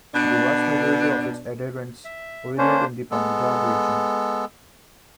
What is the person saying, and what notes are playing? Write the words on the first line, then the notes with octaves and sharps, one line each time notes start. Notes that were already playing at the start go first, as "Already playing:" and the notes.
The vast majority of its adherents originate in the Punjab region.
B2 D4
E5
A#3 C#4 D4 C5
G#3 B3 A4